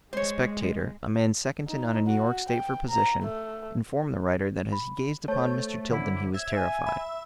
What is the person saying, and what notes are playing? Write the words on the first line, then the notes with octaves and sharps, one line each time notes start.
A spectator, a man second to none in New York State for position, informed the writer that as he gazed upon Mr. Tilden he was terrified.
G#3 C5 C#5
D#4
F#4
G5
A#5
A3
B5
A3 C5 C#5 G6
D3 E4
E5 G#6
G#5
E5 B5